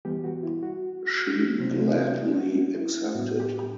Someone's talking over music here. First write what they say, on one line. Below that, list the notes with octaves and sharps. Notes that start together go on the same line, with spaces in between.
She gladly accepted.
E3 G3 B3 G4
F#4
E4
F#4
C3 F#3 C4
F#4
E4
A2 G3 B3 D4 F#4
G4